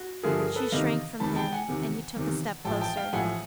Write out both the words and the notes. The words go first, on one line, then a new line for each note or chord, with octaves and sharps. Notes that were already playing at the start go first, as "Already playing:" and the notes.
She shrank from him, and he took a step closer.
Already playing: F#4
G2 D3 F3 A3 G#4 A#4
G#4 A#4
A4 B4
E2 C3 D#3 D#5 F5
E2 C3 D#3 A5 B5
G5 A5
F#5 G#5
E2 C3 D#3
E2 C3 D#3
A1 A2 F3 G#3 G5 A5
G5 A5
F5 G5
A1 A2 F3 G#3 F#5 G#5